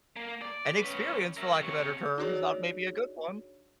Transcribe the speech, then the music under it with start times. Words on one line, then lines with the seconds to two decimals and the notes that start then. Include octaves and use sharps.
an experience for lack of better terms, not maybe a good one.
0.16 A#3
0.42 D5
0.78 C#4 B4
1.37 A#4 E5
1.61 C3 C#5
2.18 D4 D#4 F#4 G#4 C#5 D5